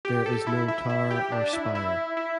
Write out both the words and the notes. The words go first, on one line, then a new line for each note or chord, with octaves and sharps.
There is no tower or spire.
G4
A4
E4
E4
E4
G4
D4
E4
E4
E4